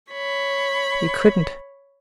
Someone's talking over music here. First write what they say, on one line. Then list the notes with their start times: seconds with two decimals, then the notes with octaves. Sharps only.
You couldn't.
0.12 C#5 B5